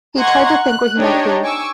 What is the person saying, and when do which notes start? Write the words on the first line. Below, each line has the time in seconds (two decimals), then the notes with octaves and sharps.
He tried to think where he might be.
0.17 D#5 F#5 A#5 C6 C#6 G#6
0.63 F#6
0.98 D4 D#4 G4 C#5 D#5
1.43 G#5 C#6 D6 E6